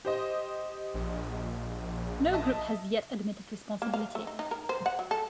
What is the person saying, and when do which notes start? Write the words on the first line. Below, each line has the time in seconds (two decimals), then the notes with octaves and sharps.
No group has yet admitted responsibility.
0.05 G4 C5 D#5
0.94 A#1
2.32 D#5 E5 A5
3.82 A#3
3.94 F5
4.15 A3
4.27 D#4
4.39 D#4
4.51 A#4
4.69 C5
4.86 F#5
4.99 F#3
5.11 A4